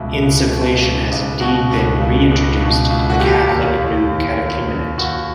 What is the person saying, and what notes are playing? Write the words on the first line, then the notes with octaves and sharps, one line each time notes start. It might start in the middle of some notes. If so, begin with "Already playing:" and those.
Insufflation has indeed been re-introduced into the Catholic new catechumenate.
Already playing: C#2 B2 E4
C#2
B2
C#2
C#2
B2 F#4
C#2
C#2
C#2
B2
C#2
F#4
D#2 G4
D#2
D#2
D#2
D#2
D#2
D#2 F#4